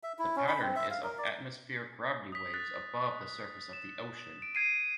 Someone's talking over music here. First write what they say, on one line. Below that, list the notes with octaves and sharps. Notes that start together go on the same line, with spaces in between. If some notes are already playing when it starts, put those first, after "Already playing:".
The pattern is of atmospheric gravity waves above the surface of the ocean.
E5
E4
C#4
B5
C4
E5
F5
A#4
D5
D#6 B6
F#6 A6 B6
E7
D7
G#6 C7 D#7